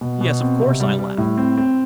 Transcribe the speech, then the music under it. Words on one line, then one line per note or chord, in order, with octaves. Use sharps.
"Yes, of course," I laughed.
B2
B2
C4
C3
G3
G3
A2
C4
C4